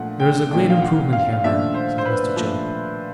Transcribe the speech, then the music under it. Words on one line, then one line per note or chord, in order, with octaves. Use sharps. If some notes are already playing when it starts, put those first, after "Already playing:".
'There is a great improvement here, ma'am?' says Mr. Chillip.
Already playing: A#2 F3 A3 D4 F#5
G5
A#2 F3 A3 D4 G5
F5
F#5
F5
F5
A#2 F3 A3 D4 E5
C5
C5
B4
A#2 F3 A3 D4